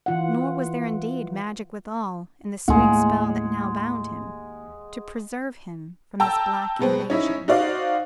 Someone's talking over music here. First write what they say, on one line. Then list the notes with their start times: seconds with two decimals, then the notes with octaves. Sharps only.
Nor was there indeed magic withal, in the sweet spell that now bound him, to preserve him, from this black invasion.
0.06 E3 F4 F#5
2.68 D#2 A2 G#3 F#5
6.20 G5 A5 A#5 E6
6.79 B2 G#3 B3 C4
7.10 C#4 D#4 E4
7.48 D#4 F#4 C5 D5 F5